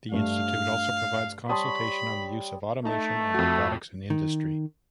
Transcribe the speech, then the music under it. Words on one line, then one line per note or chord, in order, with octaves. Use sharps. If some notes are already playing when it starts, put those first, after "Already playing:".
The institute also provides consultation on the use of automation and robotics in industry.
G2 A3 D4 F5
G3 C#5 A5 B5 C6 D#6
A3 D#4 A5
F2 F#4
D#3